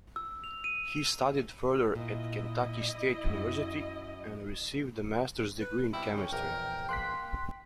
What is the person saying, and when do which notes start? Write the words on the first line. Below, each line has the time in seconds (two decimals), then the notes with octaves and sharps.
He studied further at Kentucky State University and received a Master's degree in Chemistry.
0.16 E6
0.44 F7
0.64 D#7
1.95 A#2 E4 D#5
3.24 F#2
5.59 B4
5.93 B2 G3 C4 E4 G5
6.17 D3 C#4 A#4
6.32 A#1 E2 A#4 D#5
6.89 A#3 C6 F#6 B6